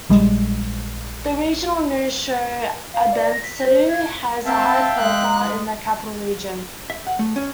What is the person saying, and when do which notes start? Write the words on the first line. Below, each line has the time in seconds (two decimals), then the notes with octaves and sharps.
The regional news show "Abendschau" has a high profile in the capital region.
0.10 A#1 G3 G#3
2.93 F5
3.13 D5
3.32 A#6
3.44 B6
3.65 C5
3.89 G#6
4.46 C4 E5 F5 G5 A5
4.99 G#3 F#6
6.90 E5
7.07 F#5
7.19 A3
7.36 C#4